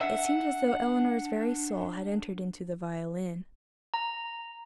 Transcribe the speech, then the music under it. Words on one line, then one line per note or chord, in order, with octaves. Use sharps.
It seemed as though Eleanor's very soul had entered into the violin.
D4 E5 F#5
A#5